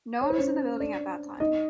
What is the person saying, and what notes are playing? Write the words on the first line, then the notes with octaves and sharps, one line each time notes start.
No one was in the building at that time.
C#5
C5
C#4 C#5
D4 D5
D#4 D#5